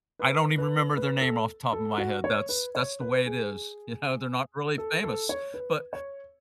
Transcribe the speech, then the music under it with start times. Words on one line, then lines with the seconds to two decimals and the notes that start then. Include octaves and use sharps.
I don't even remember their name off the top of my head, that's that's the way it is, yeah, they're not really famous, but
0.19 B4
0.58 B4
0.97 B4
1.21 A4
1.73 A4
1.98 F#4
2.24 C#5
2.49 B4
2.75 C#5
3.01 B4
3.26 G#4
4.78 A4
5.03 A4
5.29 C#5
5.54 B4
5.93 C#5